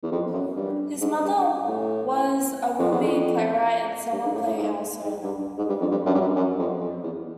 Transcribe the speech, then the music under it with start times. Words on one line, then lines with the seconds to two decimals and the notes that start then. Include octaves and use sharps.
His mother was a would-be playwright and summer playhouse owner.
0.02 E2
0.12 F2
0.33 F#2
0.56 G2
1.01 G#2
1.23 G2
1.67 A2
2.79 F2
2.91 E2
3.02 F2
4.12 G2
4.24 G#2
4.34 A2
4.46 A2
4.57 G#2
5.02 G#2
5.24 G2
5.58 G#2
5.68 G2
5.81 F2
5.91 G2
6.06 F#2
6.14 G2
6.20 F#2
6.36 F#2
6.59 F2
6.80 F2
7.03 E2